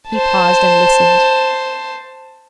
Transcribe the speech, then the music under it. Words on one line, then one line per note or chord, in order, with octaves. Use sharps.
He paused and listened.
C5 A5